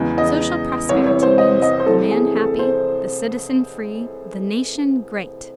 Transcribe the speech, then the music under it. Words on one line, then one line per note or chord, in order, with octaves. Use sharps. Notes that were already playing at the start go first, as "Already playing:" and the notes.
Social prosperity means the man happy, the citizen free, the nation great.
Already playing: E2 C#3 G#3
D#5
C2 C3 E3 C#5
C#5
C5
D#5
D#5
C5
C2 C3 E3 A3 A4
G#4
A4
C5